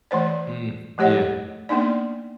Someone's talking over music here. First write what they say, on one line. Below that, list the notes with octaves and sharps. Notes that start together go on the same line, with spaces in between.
Mm, yeah.
E3 A3 C5 D5
F3 A3 G4 C#5 D#5 F#5
A#3 B3 D4 D#4 D5